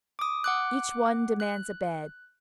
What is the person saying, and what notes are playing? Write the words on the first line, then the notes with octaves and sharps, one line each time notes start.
Each one demands a bed.
D6 D#6
F#5 D6 F#6
F#6